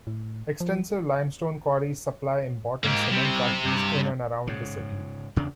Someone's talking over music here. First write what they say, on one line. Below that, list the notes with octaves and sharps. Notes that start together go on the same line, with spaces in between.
Extensive limestone quarries supply important cement factories in and around the city.
A2
F3
G#2 A#3 G4
C3 G3 C4
G2
G#2 C#3
E2 C#3 D4